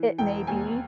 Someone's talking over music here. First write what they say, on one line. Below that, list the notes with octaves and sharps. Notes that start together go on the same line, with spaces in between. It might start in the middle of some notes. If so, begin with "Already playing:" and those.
it may be,
Already playing: E3
E1 G5
D#2 G#5